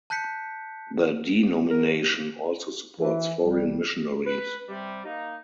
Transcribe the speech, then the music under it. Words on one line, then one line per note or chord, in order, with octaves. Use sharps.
The denomination also supports foreign missionaries.
A5 F#6 G6 B6 C#7
A#4
E3
C2 G3
B4
C3 G3
A#3 D#4